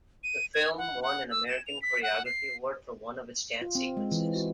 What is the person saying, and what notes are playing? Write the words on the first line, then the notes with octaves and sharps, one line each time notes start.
The film won an American Choreography Award for one of its dance sequences.
D#7
G#6
F#5
F#5
E6
E7
F7
B6
F#5
C7
F4
C4
G#3
E3
F#4